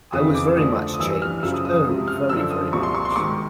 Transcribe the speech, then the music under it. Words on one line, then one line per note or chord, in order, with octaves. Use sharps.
I was very much changed — oh, very, very much.
F2 C#3 E3 D#6
D6
D2 D3 F3 D#6
D#6
G2 E3 E6
F6
F#2 C#3 F3 E6
D#6
D#6
D#6
C#2 C3 F3
F6
F#2 D3 F3 E6
D#6
C2 A#2 F3 C#6
C6
C#6
C6
D6
G#2 D#3 C#6